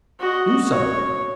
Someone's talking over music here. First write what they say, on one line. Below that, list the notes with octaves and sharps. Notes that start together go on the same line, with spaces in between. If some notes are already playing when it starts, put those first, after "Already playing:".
"Do so."
F#4 D#5
C#5